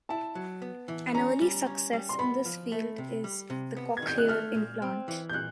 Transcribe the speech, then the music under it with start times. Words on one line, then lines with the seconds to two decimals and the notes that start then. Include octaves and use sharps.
An early success in this field is the "cochlear implant".
0.09 E4 A5
0.35 F#3
0.62 B3
0.88 E3
1.14 C#4 A#5
1.41 G3
1.66 C#4
1.93 G3
2.09 C6
2.19 B3 B5
2.46 F3
2.72 A3
2.98 C3
3.24 G3
3.50 C3
3.77 B3
3.97 G#6
4.02 D#3
4.07 G6
4.18 F#6
4.29 A3 F6
4.55 A#2
4.82 C4
5.08 E3
5.29 G6
5.33 A#2 F#6